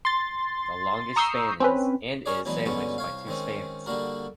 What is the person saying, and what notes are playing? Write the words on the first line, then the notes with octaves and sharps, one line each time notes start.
The longest span is and is sandwiched by two spans.
C6 A6
A#5 C#6 D#6 E6 G6 C7
C4 C#4 B4
C#4 G#4 A#4 C#5 D5
E3 F#3 G#3 B3 D4 D#4
G2 B2 D3 G#3 B3 C#4
C2 C#5 F5
D#3 G#3 C4 C#4
D3 G3 A#3 D4 F#4 A#4